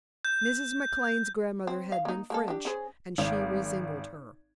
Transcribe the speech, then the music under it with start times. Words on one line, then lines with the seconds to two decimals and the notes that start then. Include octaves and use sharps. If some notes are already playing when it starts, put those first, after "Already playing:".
Mrs. McLane's grandmother had been French and she resembled her.
0.25 G6
1.67 C4
1.92 F5
2.05 A#3 D#4
2.30 G#3 A#3 A4
2.48 D4 G4
2.65 C#4 G#4 C5
3.18 G#1